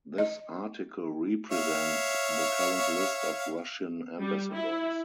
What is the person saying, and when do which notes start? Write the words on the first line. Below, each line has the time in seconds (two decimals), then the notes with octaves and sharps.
This article represents the current list of Russian ambassadors.
0.18 D#5
1.52 C#5 E5 F5
4.20 G3
4.53 E4